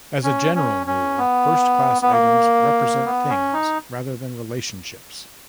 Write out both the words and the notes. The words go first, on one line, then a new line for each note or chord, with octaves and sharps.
As a general rule, first class items represent things rather than relationships.
C#4
C#4
C#4
B3
B3
A#3
B3
C#4
D#4